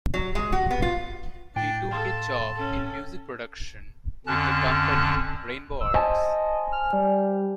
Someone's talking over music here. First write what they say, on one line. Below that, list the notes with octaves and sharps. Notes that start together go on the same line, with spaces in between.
He took a job in music production with the company Rainbow Arts.
F#3
G#3
F#4
B3
F4
A2 D4 G5
A4 F5 A5 C6
C#4 A4
F2 D3 C#4 A5 F#6
E6
C5 D#5 G#5 A5
F6
G3